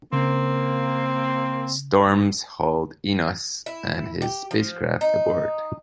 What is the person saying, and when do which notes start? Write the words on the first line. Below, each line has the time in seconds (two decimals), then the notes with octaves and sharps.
"Stormes" hauled Enos and his spacecraft aboard.
0.13 C#3 A#3 C4
3.66 E4
4.22 G4
4.51 F3
5.01 D#4